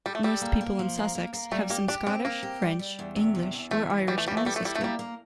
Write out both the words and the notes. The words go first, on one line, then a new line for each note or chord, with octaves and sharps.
Most people in Sussex have some Scottish, French, English, or Irish ancestry.
G3 A4
A3
G3 A4
A#3
A#3
F3
A#3
A#3
A#3
G3 A3
A#3 G4
D4 G4
C4 D4
A#3 C4
G4
G3
G3
E2
C3
E2
E2
E3 A3
E2
E3 G3
A3
E2 G3
A3
G3 A4
A3
G3 E4
A3
G3 A#3
A#3